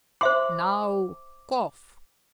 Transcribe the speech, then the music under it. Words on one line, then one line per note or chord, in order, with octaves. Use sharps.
"Now cough."
C5 E5 C6 D6